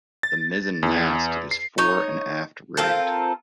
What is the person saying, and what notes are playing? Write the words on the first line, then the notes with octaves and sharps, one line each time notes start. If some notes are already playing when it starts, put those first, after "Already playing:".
The mizzen mast is fore-and-aft rigged.
A6
E2
C7
D#4 C#5
C4 F4 A4 A#4